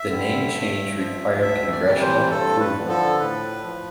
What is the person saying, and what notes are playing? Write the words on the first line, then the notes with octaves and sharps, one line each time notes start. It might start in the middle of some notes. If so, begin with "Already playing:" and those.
The name change required congressional approval.
Already playing: E5
D3 G3
G2
F3
D2 E5
D5
C3 E3 G3
C5
G2 A4
B4
D3 F3
A4
A2 B4
F3